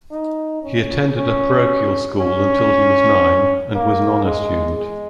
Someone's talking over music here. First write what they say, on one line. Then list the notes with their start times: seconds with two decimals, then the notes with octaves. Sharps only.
He attended a parochial school until he was nine and was an honor student.
0.11 D#4
0.63 C#4
1.16 C#4
2.19 C#4
3.74 A#3
4.25 G#3
4.78 G#3